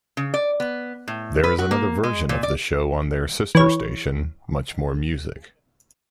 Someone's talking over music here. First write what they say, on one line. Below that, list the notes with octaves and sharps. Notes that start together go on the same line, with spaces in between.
There is another version of the show on their sister station, MuchMoreMusic.
C#3
D5
B3
A2
B4
F#4
A#3
G#3
A#2
D5
E3 C#5